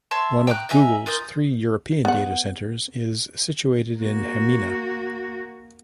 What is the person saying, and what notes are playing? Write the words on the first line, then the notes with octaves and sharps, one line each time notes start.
One of Google's three European data centers is situated in Hamina.
C#5 E5 A5 C6
G5 A#5 D6 F#6
D#5 E5 G#5 A#5
F4 A#4 D#6 G6
B3 F#5
A#3 F#4